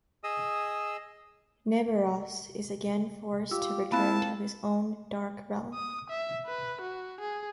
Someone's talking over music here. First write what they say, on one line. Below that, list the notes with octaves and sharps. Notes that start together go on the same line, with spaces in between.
Nebiros is again forced to return to his own Dark Realm.
G#4 D#5 D#6 E6
F4 G4 E6
A#3 C4 E4 F5 A5 B5 F#6
D#6
E5
B4
F#4
G#4